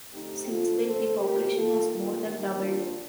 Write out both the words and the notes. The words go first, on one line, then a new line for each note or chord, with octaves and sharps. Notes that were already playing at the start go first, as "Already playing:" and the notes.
Since then, the population has more than doubled.
D3 A3 C4 D#4 G4
F4 A4
A4 C5
G4 A#4
D#3 A#3 F4 A4
F4 A4
D#4 G4
D4 F4